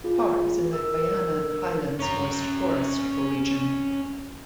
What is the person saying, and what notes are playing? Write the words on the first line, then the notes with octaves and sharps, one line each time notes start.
The park is in the Guayanan Highlands moist forests ecoregion.
F4 G#4
A#4 E6
C#4 A#5